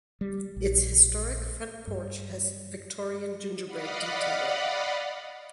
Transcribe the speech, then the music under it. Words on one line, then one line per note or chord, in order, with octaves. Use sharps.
Its historic front porch has Victorian gingerbread detailing.
G3
A#1
G2
D5 D#5 F5 F#5 B5